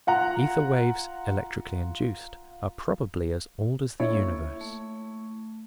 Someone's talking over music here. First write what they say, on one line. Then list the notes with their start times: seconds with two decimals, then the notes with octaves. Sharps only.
Ether-waves, electrically induced, are probably as old as the universe.
0.07 F4 F#5 A#5
4.00 A#3 E4 A4 C#5
4.61 A3